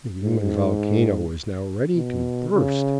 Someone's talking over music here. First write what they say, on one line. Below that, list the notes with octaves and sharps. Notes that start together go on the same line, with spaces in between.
The human volcano was now ready to burst.
G#2
B2
C#3